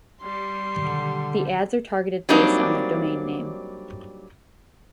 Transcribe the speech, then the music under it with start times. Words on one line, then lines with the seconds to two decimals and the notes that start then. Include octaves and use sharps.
The ads are targeted based on the domain name.
0.22 G3 C6
0.76 B2 D3 D#3 F#3
2.29 F#3 G3 A#3 C4 D4 D#4